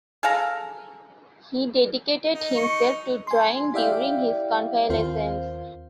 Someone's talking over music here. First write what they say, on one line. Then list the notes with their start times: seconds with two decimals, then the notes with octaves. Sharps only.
He dedicated himself to drawing during his convalescence.
0.23 G#4 A4 F5 A#5
2.35 D#4
2.57 C#6
3.27 G#5 C6
3.74 E4 G4 D5 E5 F5 G5
4.90 D#2 C4 F4 C5 F5